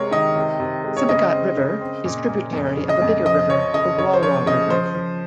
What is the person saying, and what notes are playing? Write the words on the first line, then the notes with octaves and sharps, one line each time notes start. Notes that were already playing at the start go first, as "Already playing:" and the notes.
Sibagat River is tributary of a bigger river, the Wawa river.
Already playing: C3 G#3 A#4 C#5
D#3 D#5
C3
C3
G#3
C#5
C#3 D#5
C4
C#3
C4
A#2
A#2
F2
C#3
D#5
F2
F3 D#5
F3 C#5
C#3 D#5
C#3 C#5
C5
F3 C#5
C#3 D#5
F3 C5
F3